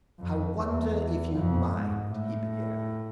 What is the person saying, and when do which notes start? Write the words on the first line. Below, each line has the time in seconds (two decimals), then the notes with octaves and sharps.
"I wonder if you'd mind," he began.
0.20 F2
0.58 E2
1.36 F2
1.74 G#2
2.12 A2